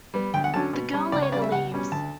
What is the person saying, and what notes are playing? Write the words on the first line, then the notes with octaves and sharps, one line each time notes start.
The girl later leaves.
G3 B3
D2 G5
F#5
D3 F#3 C#4 A5
B2
G3 C#4
C#2 D5
C#5
C#3 G3 D5
E5
C#2 F#5
B2 G3 C#4
D2 A5